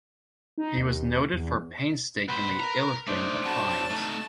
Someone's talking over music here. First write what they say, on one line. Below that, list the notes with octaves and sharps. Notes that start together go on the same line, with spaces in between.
He was noted for painstakingly illustrating the finds.
D#4
D#2
E2
B2 B4 C5 B5
A#4 A#5
A3 D4 D#4 C5 D6
F#3 B3 A5
A3 D#4